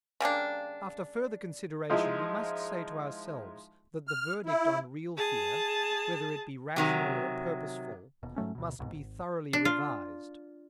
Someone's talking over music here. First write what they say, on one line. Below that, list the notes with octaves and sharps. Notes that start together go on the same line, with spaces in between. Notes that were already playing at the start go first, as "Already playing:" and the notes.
After further consideration, we must say to ourselves that the verdict on real fear, whether it be rational or purposeful, must be thoroughly revised.
C#3 G3 A#3 D4
F3 G#3 D#4 E4
F6
E4
G#4 A5
C3 D#3 F#3
D#1 B2
G#2 F#3 A3 C#4
D2 B2
D1 C2 G#2 B2
G#1
D4
F4